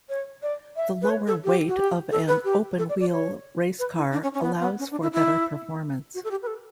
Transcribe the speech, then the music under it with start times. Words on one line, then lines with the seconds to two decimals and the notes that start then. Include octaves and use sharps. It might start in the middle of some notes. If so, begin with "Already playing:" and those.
The lower weight of an open-wheel racecar allows for better performance.
0.09 C#5
0.42 D5
0.76 E5
1.02 B4
1.10 C#5
1.27 A4
1.44 G4
1.68 F#4
1.77 G4
2.11 A4
2.28 B4
2.44 G4
2.78 A4
2.89 D5
3.00 D5
3.11 C#5
3.79 B4
3.95 E4
4.12 D4
4.23 C#4
4.34 C#4
4.43 B3
4.60 B3
4.79 C#4
4.91 D4
5.02 E4
5.13 E4
6.14 F#4
6.24 A4
6.31 G4
6.42 B4
6.47 A4